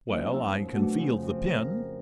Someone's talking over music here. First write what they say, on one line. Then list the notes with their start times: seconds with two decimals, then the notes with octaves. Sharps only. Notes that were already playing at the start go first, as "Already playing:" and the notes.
"Well, I can feel the pin."
0.08 F3 F#3 A#3 C#4 D#4
0.32 D#2 D#4 E6
0.73 B2 F#3 A3 D4 F#4
0.97 C#3 F3 A3
1.23 F2
1.50 A#4